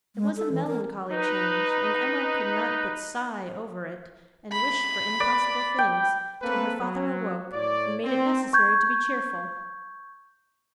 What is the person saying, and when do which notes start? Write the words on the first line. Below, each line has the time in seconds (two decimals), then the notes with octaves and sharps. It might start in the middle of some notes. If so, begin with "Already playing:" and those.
It was a melancholy change; and Emma could not but sigh over it, and wish for impossible things, till her father awoke, and made it necessary to be cheerful.
0.16 G#3
0.37 A4
0.52 E3
0.67 A#4
1.11 D#4 B4
4.52 B5
5.20 B4 D5
5.78 G5
6.42 A#3 C4 A4 B4
6.79 F#3
7.53 A2 C#5 D5
8.04 C4
8.53 C#6 G6 G#6